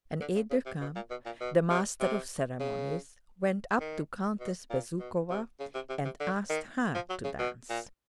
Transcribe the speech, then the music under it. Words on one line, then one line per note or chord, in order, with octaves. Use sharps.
An aide-de-camp, the Master of Ceremonies, went up to Countess Bezukhova and asked her to dance.
D3
C#3
C#3
C3
B2
A#2
B2
A#2
B2
C3
C3
C#3
D#3
B2
A#2
B2
C3
C#3
C3
C3
C3
D3
D#3
F3
F#3
C#3
B2
A#2